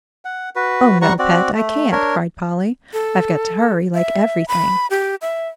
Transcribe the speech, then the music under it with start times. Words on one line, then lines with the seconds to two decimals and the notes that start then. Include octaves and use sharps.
"Oh, no. Pet, I can't," cried Polly, "I've got to hurry like everything!"
0.25 F#5
0.56 F#4 B4
1.02 G3 F#5 A#5 C#6
1.19 C4 F#4 D5
1.54 A3
1.92 D4 A#4 C#5
2.93 A4
3.94 E5
4.48 B5
4.90 G4
5.22 E5